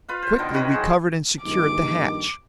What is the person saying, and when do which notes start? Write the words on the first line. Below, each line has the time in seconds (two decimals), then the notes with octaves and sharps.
Quickly we covered and secured the hatch.
0.08 F4 B4 F5
0.22 C5
0.38 B2 D3 D#3 B3
0.54 C3 B4 C#5 A#5
0.72 F#3 G#4 C5
1.43 A#1 G2 D#3 D6